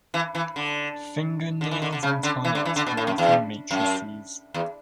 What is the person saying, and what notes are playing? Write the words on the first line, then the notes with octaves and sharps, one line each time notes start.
Finger nails and toenails grow from matrices.
E3
E3
D3
D3
E3
D3
D3
C#3
D3
E3
D3
E3
D3
B2
A2
F#2
E2
F#2
E2